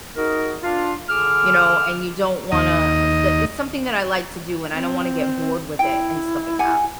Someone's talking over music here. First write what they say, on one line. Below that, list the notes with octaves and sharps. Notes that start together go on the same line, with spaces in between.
you know, and you don't wanna that it's something that I like to do, and I don't wanna get bored with it and stuff like that.
D#4 F#4 G#4 A#4
D4 F4 F5
D3 G#4 D6 E6 F6
D#2 D#5
C4
E4 G5
G4 F#5 G#5